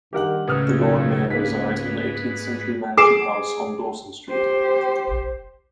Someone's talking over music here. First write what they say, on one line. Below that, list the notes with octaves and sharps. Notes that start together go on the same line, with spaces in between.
The Lord Mayor resides in the eighteenth century Mansion House on Dawson Street.
G2 D#3 G4 A#4 F#5
C#2 A2 C#3 B4 D#6 F6
B1
G#2 A#3 B4 B6
G#4 D6 C7 E7
G4 C5